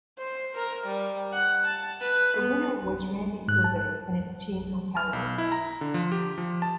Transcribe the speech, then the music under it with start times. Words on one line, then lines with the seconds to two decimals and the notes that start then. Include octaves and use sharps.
The winner was Randy Ferbey and his team from Canada.
0.18 C5
0.55 A#4
0.86 G3
1.33 F#5
1.65 A5
2.01 B4
2.37 B3
3.48 G#2 F#6
3.64 A5
4.97 F6
5.13 B1
5.38 E4
5.52 A#5
5.81 D3
5.94 F3
6.12 G4
6.38 F3
6.62 A5